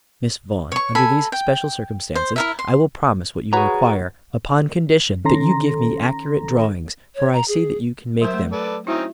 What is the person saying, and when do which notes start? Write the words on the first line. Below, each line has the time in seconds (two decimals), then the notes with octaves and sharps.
"Miss Vaughan, under these special circumstances, I will promise what you require; upon condition that you give me accurate drawings, for I see that you can make them."
0.72 C#5 C#6
0.95 A4 G#5 B5
1.32 G5
2.15 C5
2.36 E4 A#4 E5
2.59 C6
3.53 F#4 G#4 B4 C#5 A#5
5.25 D#3 C#4 A4 A#5 C6 A#6
7.16 C#5
7.33 A#5
7.48 G#4
8.22 F#3 A#4 C5 E5
8.34 A3
8.52 A4 B4 D5
8.87 C4 C#4 D#4 E4 F#4 E5